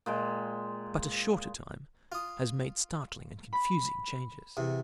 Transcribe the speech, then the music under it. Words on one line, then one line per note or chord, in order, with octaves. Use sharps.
But a shorter time has made startling and confusing changes.
A#2 G#3 G5
F4 D#6
B5
E2 C3